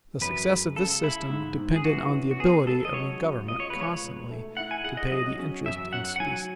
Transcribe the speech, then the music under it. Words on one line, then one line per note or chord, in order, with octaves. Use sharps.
The success of this system depended on the ability of the Government constantly to pay the interest in specie.
F#2 B4
G#3
C#3 A4
G#3 E4
G#2
G#2
G#4
E3 F#4
C#4
F#4
B3 G#4
G#3 A4
D#5
F#3 C#5
C#3
C#2 D#5
C#5
B4
C#2
C#5
B2
A3
E4 F#5
G#5
G#4 F#5
D#5
F#3 D#5
C#4
F#2 E5
C#4 F#5
F#5
F#3 G#5